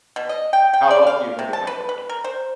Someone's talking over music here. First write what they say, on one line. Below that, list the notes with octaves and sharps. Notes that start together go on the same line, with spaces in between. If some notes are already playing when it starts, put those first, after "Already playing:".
how else do you think it might help you?
B2
D#5
G5
G5
D5
F5
C3
A5
B4
B4
A#4
C5